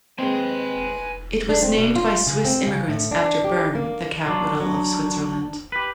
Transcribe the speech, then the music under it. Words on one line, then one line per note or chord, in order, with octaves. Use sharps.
It was named by Swiss immigrants after Bern, the capital of Switzerland.
D#2 G#3 C4 B4 G#5 C6
D4
C4
B2
F4
C#3
C4
C#3
A2
D4
G4
A#3
F#3 D4 F4
F#3 D4
G4 B4